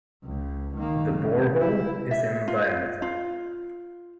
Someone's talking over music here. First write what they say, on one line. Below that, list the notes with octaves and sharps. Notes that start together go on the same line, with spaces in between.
The borehole is in diameter.
C#2
D#3 A#3
C#3 G#3
E4
E5
F4
F4